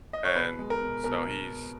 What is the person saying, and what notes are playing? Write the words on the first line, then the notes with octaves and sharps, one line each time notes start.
And so he's,
D#5
C#5
B2 B4
G#3
A#4
B2
B2 A#4
B2